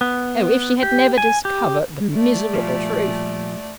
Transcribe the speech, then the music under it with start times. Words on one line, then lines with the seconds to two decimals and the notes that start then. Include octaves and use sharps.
Oh, if she had never discovered the miserable truth!
0.01 B3
0.83 G4
1.18 G#5
1.45 G4
2.15 A3 D5
2.54 A#2 F3 G3